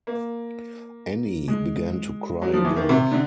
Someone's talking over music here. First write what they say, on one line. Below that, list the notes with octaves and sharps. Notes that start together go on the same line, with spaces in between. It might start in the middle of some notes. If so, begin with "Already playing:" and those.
Annie began to cry again.
A#3
G#3
F#3
F3
E3
D#3
C3
D3